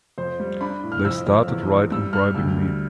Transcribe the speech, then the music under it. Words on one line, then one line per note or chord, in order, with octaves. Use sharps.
They started right in bribing me!
F2 C5
G3
D4 B5
A2
F6
F2 E6
F2
E2
E2
G3 E6
G3 F6
D2 E6
G3